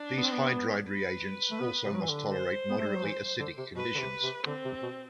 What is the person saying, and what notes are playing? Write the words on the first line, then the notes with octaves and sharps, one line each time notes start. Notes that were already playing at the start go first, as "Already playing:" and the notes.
These hydride reagents also must tolerate moderately acidic conditions.
Already playing: D4
B3
C4
B3
B4
A3
B3
C3
F#3
E3
D3
C5
B3
A3
G3
F#3
E3
D3
C3
B2 B4
D3
C3
C3
D3 C4
C3
B2